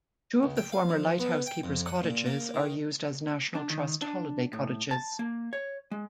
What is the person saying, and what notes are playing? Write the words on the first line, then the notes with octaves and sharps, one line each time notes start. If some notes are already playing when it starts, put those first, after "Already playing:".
Two of the former lighthouse keepers' cottages are used as National Trust holiday cottages.
C#2
G5
F5
F3
B3
G5
F2
F#5
A#2
A#3
D#3
D4
D#3
D4
A2
A5
A#3
C#5
G#3